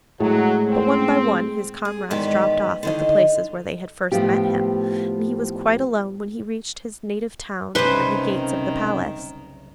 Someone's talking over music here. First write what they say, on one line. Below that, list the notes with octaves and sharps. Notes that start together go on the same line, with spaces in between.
But, one by one, his comrades dropped off at the places where they had first met him, and he was quite alone when he reached his native town and the gates of the palace.
A2 F#3 G#3 G#4
C4
G#4
E2 G#2 D#3 B3 G4 D5
D3 D#3 D#4
A2 F3 B3 F4 G4
F#1 C2 C3 D#3 G3 C#4 B4 C5